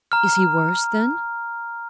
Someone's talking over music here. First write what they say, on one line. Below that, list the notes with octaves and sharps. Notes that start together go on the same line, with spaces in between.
"Is he worse, then?"
A#5 F6